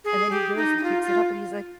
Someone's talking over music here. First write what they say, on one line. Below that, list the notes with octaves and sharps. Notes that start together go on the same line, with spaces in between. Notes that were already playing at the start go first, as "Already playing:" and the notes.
and then he goes and picks it up and he's, like,
G#4
G4
D#4
D#4
F4
F4